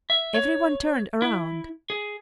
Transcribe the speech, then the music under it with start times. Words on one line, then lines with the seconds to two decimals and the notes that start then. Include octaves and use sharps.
Every one turned round.
0.10 E5
0.34 C#5
1.22 E4
1.90 G#4